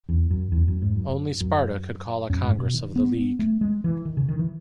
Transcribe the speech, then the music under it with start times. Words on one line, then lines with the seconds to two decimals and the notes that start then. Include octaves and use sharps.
Only Sparta could call a Congress of the League.
0.09 E2
0.31 F#2
0.52 E2
0.68 F#2
0.82 G#2
0.96 F#2
1.41 F#2
2.30 F#2
2.43 G#2
2.59 B2
2.74 D#3
2.96 B3
3.17 B3
3.39 A3
3.61 G#3
3.84 E3
4.05 D#3
4.17 C#3
4.29 D#3
4.39 E3